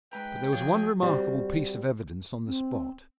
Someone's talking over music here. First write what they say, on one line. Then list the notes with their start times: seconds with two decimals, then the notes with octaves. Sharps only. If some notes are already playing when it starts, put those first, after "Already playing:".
But, there was one remarkable piece of evidence on the spot.
0.13 G#2 G#3 B4 G5 A#5
0.53 F3 F#4 G#4 C#5
1.02 G3 C4 F#4
2.47 C4